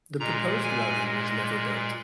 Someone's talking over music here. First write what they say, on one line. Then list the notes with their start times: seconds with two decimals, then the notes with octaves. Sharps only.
The proposed routing was never built.
0.20 A#2 G#3 A#5
0.64 G#5